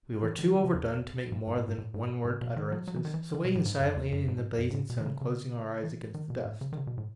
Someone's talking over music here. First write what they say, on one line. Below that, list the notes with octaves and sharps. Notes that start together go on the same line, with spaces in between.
We were too overdone to make more than one-worded utterances, so waited silently in the blazing sun, closing our eyes against the dust.
E3
D#3
D#3
C#3
E2
G#2
G#2
A2
G#2
A2
G#2
A2
B2
D#3
F#3
F#3
E3
D#3
E3
D#3
B2
A2
G#2
F#2
E2
F#2
G#2
A2
F#2
G#2
A2
B2
D#3
C#3
C#3
E3
D#3
B2
A2
C#3
D#3
C#3
B2
A2